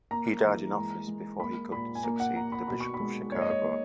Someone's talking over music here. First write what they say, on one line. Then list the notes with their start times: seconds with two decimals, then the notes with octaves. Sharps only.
He died in office before he could succeed the Bishop of Chicago.
0.11 A#3 A#5
0.44 E3
0.76 G#3
1.07 G#3
1.40 A#3 B5
1.72 A#2 B5
1.95 G#5
2.03 A#3 A#5
2.20 F#5
2.35 A#3 A#5
2.52 B5
2.68 B2 B5
2.80 C#6
2.94 B5
3.00 G#3
3.32 A#3 C#5
3.41 D#5
3.50 C#5
3.64 A#3